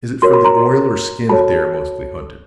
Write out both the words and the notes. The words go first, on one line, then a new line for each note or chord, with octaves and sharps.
"Is it for the oil or skin that they are mostly hunted?"
F#4 A#4 C#5 C6
B5
A#5 C6
F#4 A4 C#5 A5 B5